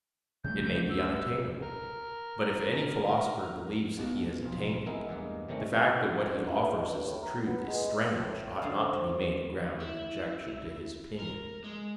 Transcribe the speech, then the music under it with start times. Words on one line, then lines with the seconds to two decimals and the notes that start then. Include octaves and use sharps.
It may be unattainable, but if any philosopher believes that he has attained it, the fact that what he offers as the truth is strange ought not to be made a ground of objection to his opinion.
0.44 C#3 G3 A3 G6
0.74 D2
0.90 E6
1.62 A#4
3.98 B1
4.43 B1 F2 F4
4.86 G#3 B3 E4 A#4
5.09 E2 G2 G#3 A#3
5.49 C3 D#3 G3 A3 C#4
5.72 E4 F#4 G#4 A#4 D5 E5
6.32 D3
6.46 G2
6.66 G#3
6.81 G2
7.07 A2
7.22 A#4
7.46 B3
7.67 G#3
7.91 E2
8.16 A2
8.62 D3 C#4 C5 F5
9.80 E4
11.19 A#4
11.64 G#3